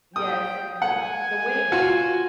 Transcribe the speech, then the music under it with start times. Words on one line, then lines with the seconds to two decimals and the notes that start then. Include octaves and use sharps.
Yes. Ye w the wings.
0.16 G5 D#6
0.82 F#5 G#5
1.72 F4 F#4